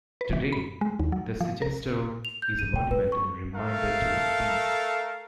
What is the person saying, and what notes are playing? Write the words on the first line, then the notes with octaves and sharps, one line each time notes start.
Today, the Siegestor is a monument and reminder to peace.
B4
E3
B5
G#3
D#2
F#3
F3
A#4
F7
G6
D#7
G5
B4
C#6
A3 A4 A#4 F5